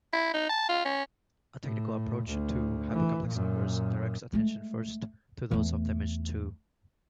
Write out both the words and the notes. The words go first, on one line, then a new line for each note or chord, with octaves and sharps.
A technical approach to hypercomplex numbers directs attention first to those of dimension two.
E4
D#4
A5
F4
C#4
A2
D2
E3
F#2 A#2
G#3 A3
E2 A3